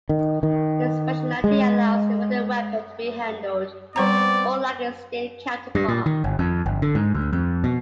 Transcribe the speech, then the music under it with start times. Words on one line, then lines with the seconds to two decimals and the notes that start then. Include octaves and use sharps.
This functionality allows the wooden weapon to be handled more like its steel counterpart.
0.09 D#3
0.43 D#3
1.44 G#3
3.96 G3 B3 C4 C5 D5 A#5
5.75 G2
5.88 A#2
6.06 D#3
6.24 G1
6.39 F2
6.66 G1
6.82 D3
6.95 G#2
7.15 D2
7.33 F2
7.64 B2